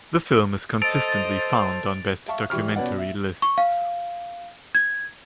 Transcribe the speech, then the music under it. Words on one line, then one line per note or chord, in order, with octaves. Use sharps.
The film is consistently found on "best documentary" lists.
A4 C5 D#5 A6 D7 F7
E5 F5 A5 C#6
E3 G3 B5 C#6 F6
B2 C#4 B4 D5 F#5
E5
C#6
F5
G#6